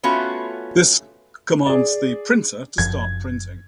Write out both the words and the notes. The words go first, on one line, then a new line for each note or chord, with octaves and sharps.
This commands the printer to start printing.
A3 B3 C#4 F4 F#4
G#4 D5
F#1 F#2 F3 G#6